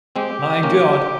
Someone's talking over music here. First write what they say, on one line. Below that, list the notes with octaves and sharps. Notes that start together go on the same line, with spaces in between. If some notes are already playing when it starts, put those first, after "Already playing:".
My God!
G#3 C4 G4
A#3 C#4